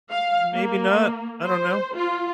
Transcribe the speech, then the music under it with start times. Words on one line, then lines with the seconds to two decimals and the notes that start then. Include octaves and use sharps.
Maybe not. I don't know."
0.12 F5
0.54 A#3
1.43 C5
1.95 F4